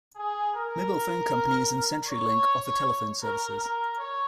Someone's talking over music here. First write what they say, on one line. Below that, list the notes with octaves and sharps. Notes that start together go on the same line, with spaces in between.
Mobile phone companies and Century Link offer telephone services.
G#4
A#4
C#5
A#4
A#4
C#5